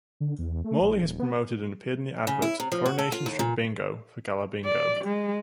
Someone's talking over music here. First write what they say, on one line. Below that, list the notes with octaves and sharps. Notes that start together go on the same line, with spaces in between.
Morley has promoted and appeared in the adverts "Coronation Street" Bingo for Gala Bingo.
D3
E2
A3
A#1
D#1
B3
C#3
E4
C3
F3
F#4
A4
F4
D#2
A#2
D5
G#3